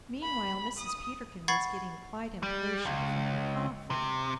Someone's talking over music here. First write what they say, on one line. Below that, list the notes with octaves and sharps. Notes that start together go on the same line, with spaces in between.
Meanwhile Mrs. Peterkin was getting quite impatient for her coffee.
B5
D#6
F#5 B5 C#6 G#6 A6 C7
G3
C#2
C3